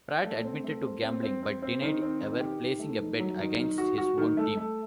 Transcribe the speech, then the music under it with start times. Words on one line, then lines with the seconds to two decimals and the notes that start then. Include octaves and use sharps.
Pratt admitted to gambling but denied ever placing a bet against his own team.
0.24 A3
0.44 C4
0.64 A3
0.83 C5
1.02 C4
1.23 C4
1.43 C4
1.62 C4
1.82 D#3
2.02 C4
2.21 D#3
2.41 G4
2.60 D#3
2.79 A3
2.99 D#3
3.20 F#3
3.39 D#3
3.58 D#3
3.78 F#4
3.98 F#4
4.18 D#3
4.37 A3
4.57 A3